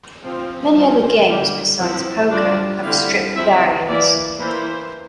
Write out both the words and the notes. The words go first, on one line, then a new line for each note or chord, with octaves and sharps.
Many other games besides poker have "strip" variants.
F3 C4 F4
G3 C4 F4
D3 G3 A#3
F3 C4 E4
G3 D4 F4 D5
D3 G3 C4 E4 F5
F3 C4 E4 E5
E3 A#3 E4 D5
E3 A#3 E4 C5